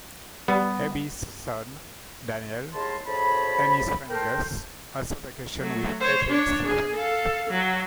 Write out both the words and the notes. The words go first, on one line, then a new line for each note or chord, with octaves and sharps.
Abby's son, Daniel, and his friend, Gus, also vacation with Caitlin's family.
G3 B3
D#2 G#3 E4 A#4 A5 C6
D2 A2 G#4 C5 A5 B5
A4 A#4 C5 G5
F#3 A3
C5 C#5
D4 C#5
G#4
A4 F5
F#3